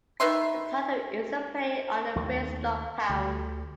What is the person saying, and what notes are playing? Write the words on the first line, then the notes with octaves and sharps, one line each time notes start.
The title is a play on the phrase dog pound.
D#3 B4 E5 C6
D#2 A3
D2